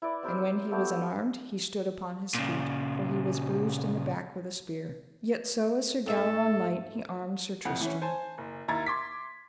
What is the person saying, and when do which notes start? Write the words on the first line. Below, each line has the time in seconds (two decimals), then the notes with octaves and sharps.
And when he was unarmed he stood upon his feet, for he was bruised in the back with a spear; yet so as Sir Galleron might, he armed Sir Tristram.
0.02 E4 B4 D5
0.23 C4 G4 A#4
0.71 A3 B3 G4
2.35 A#2 C#3
6.06 G#2 A3 A4 E5
7.65 F2 A2 F#5
7.81 E3 C#4
8.02 C5 G#5 A5
8.38 F#1
8.68 D#2 E4 A#5 G#6 A6
8.86 C6 D6 B6